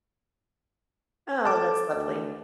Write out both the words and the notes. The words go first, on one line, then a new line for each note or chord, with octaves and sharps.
Oh, that's lovely.
A4 A5 D6
D2